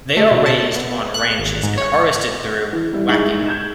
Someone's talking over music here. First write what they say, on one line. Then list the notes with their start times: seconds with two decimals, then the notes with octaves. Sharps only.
They are raised on ranches and harvested through "whacking".
0.17 A3
0.31 B2
0.46 A5
0.75 B3
1.14 F#6
1.39 G#1
1.63 G#2
1.78 C#5
2.73 E3
2.93 G3 E4
3.09 G#2 G#3 D#4 E5 C#6 F#7
3.46 G6 G#6 E7